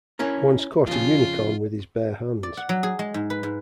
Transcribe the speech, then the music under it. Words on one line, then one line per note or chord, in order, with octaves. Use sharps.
Once caught a Unicorn with his bare hands.
C#4 E4 A#4
F2 C#3 F4
D5
F#5
F#3
G#4
G#3
G#2
B4
G#2